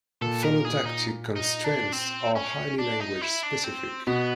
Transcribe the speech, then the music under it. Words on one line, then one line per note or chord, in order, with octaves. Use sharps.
Phonotactic constraints are highly language specific.
A#2 A4
A#4
G#4
D#4
D#4
D4
C4
C#4
D4
D#4
E4
D4
C4
B2 B3